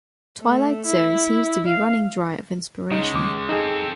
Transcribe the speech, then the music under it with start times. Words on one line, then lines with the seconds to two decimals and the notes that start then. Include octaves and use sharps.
"Twilight Zone" seems to be running dry of inspiration.
0.41 A3
0.86 E4
1.67 F5
2.92 C#3 G#3 D#4
3.14 D#2 D6
3.49 C4 D#4 G#4 A4